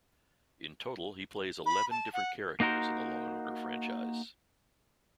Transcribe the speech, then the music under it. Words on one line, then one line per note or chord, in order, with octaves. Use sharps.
In total, he plays eleven different characters in the "Law and Order" franchise.
B5
A5
F#5
A#3 D#4 F#4 A#4 C5